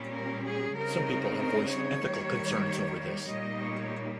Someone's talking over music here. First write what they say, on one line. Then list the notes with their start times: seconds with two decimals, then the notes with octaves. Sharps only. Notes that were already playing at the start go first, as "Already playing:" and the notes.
Some people have voiced ethical concerns over this.
Already playing: A#2 G3 C#4
0.14 A#4
0.45 G#4
0.77 C#3 G3 C4 D#4 A#4
1.39 A#4
1.71 C#5
2.02 D#3 G3 A#3
3.27 A#2 G3 A#3 D#4 D#5
3.58 C#5